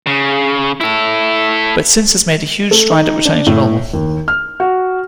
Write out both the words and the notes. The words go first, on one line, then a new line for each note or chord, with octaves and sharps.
But since has made a huge stride at returning to normal.
C#3
E4 A4
A3
D#4
D4
A2
D#2
F6
F#4